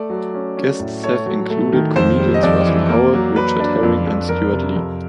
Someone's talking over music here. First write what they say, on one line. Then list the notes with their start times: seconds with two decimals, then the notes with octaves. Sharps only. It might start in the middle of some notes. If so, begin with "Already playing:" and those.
Guests have included comedians Russell Howard, Richard Herring, and Stewart Lee.
Already playing: A3 D5
0.10 F#3
0.34 C#4
0.57 C#4
0.80 A2
1.03 A3 C#5
1.26 F#3
1.50 A3
1.73 D#3
1.96 F2 C5
2.19 G3
2.34 D#5
2.43 F2 D5
2.66 E3
2.89 A#3
3.13 F#3
3.36 F#3 B4
3.60 D4
3.83 F2
4.07 F2
4.29 F2 A#4
4.52 C3
4.76 F2